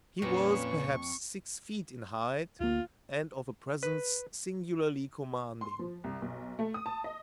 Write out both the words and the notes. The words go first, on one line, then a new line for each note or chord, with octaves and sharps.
He was, perhaps, six feet in height, and of a presence singularly commanding.
F2 A#2 C#4 B4 C#6
D2 A#3 F4
B4
C6
F3
C2
B1
A3
D#6
A5
D#5